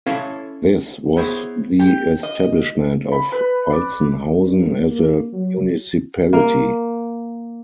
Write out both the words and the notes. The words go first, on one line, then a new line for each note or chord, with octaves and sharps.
This was the establishment of Walzenhausen as a municipality.
C#4 E4 A4 C#5 F5
B3 E4 G#4 C5 C#5
G4
D#5
B5
B4
D5
G2
A#3
F#3
A#3